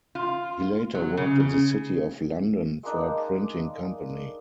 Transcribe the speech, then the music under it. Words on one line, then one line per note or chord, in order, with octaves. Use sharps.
He later worked in the City of London for a printing company.
F4
F#3
C#3
C#3
G#3 A#3 D4 D#4